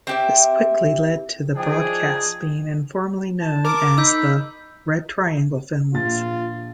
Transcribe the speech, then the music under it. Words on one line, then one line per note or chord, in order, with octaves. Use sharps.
This quickly led to the broadcasts being informally known as the "red triangle films".
C4 G4 E5
F3 D4 D#4 G#4 G5
A5
A#4 D6
D#4 B5 E6 G6
A#1 F4 A6